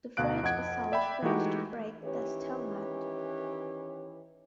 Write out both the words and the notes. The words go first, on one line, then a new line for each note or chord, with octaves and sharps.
The French assault failed to break the stalemate.
D2 B2 F5 F#6 D7
F2 D#5 F#5 G#6 D7
D5 E5 G5 B5
E3 G#3 A3 D#4 F#4 G4
D#3 E3 C#4 G4 B4 C#5